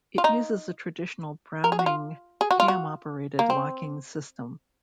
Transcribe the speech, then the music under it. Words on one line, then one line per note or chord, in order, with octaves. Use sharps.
It uses a traditional Browning cam-operated locking system.
F4
D#4
A#4
G#4
F#4
F4
G#4
F#4
F4
F#4
A#3
C4